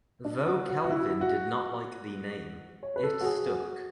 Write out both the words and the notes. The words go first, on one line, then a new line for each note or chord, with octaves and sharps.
Though Clavin did not like the name, it stuck.
D4
F#4
F#4
F#4
E4
F#4
C#5
B4
A4
F#4
G#4
F#4